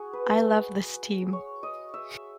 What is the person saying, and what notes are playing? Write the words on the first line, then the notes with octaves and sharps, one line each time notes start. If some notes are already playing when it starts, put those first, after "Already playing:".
I love this team.
Already playing: F#4 G#4
B4
C#5
D#5
E5